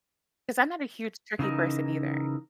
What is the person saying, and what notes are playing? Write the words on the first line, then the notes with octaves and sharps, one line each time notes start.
'Cause I'm not a huge turkey person either.
C#3 E3 D#4 A#4